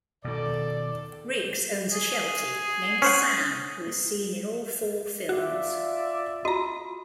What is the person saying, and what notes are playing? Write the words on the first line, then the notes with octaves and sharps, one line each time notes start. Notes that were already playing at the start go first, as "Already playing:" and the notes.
Riggs owns a Sheltie named Sam who is seen in all four films.
B2 D#3 A4 D5
G#4
C#4 C5 F#5
F4 F#4 D5 E5
F4 F#4 D#5 A#5